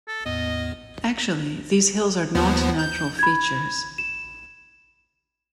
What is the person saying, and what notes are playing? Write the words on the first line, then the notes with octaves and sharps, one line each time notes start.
Actually, these hills are not natural features.
A4
E2 A2 B3 D#5
D#2 F3 B3
G6
B5 G#6
E7